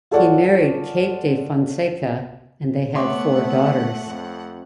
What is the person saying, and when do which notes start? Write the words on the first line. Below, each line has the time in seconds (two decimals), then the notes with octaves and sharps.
He married Kate de Fonseka and they had four daughters.
0.11 F4 G#4 A4 C#5 D5 F#5
2.95 A3 B3 C#5 F#5 C6 D6
4.07 F2